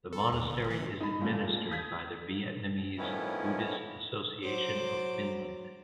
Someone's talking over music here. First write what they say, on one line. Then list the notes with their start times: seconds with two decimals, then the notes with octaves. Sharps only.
The monastery is administered by the Vietnamese Buddhist Association of Finland.
0.13 A4
0.32 D#2
0.49 G1
0.70 E3
1.00 D#4 B5
1.21 A#2 C#3 E3 F3 A3
1.71 D#6 G6 G#6 B6
2.98 F2 A2 D#3 B3 C#4 E4
4.44 F#3 C5 D6